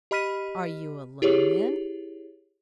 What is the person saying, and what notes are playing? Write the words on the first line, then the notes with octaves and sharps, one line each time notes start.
'Are you alone, then?'
G4 D#5 B5 F6 B6 D#7
E4 G4 G#4 C#5